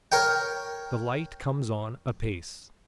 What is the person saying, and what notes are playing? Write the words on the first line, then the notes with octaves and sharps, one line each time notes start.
The light comes on apace.
A#4 C#5 G5